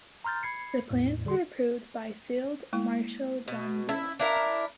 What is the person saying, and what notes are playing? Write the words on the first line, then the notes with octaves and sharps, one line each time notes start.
The plans were approved by Field Marshal John Dill.
A#5 C6 F6 G6 A6
B5 G#6 C7 C#7
E2 A2
D3 G3 G#4 C6
G#3 A#3 E4
B2
C#4 E4
D4 E4 A#4 F5